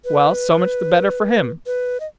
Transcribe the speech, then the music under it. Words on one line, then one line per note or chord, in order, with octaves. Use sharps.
"Well, so much the better for him."
B4
B4
D#5